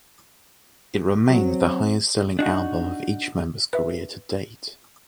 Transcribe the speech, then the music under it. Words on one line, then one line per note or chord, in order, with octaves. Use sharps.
It remains the highest-selling album of each member's career to date.
F#3 C4
D4 D#4 F#4
B4 E5